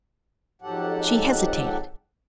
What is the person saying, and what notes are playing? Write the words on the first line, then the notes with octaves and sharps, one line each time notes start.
She hesitated.
F2 G#2 F#3 G4 A4 F#5